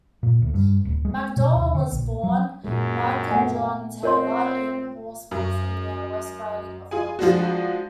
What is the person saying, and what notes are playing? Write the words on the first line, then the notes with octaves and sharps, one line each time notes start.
McDowell was born Malcolm John Taylor in Horsforth in the West Riding of Yorkshire.
A#2
D2
G2
D1
G#3
B2
D#2
D3
A#1
F#3
F#2 A#2 G#3
A3 B3 F#5 G#5
C4 F4 A#4 C#5 C6
F#2
F4 G#4 G#5
F3 G#3 D4 F#4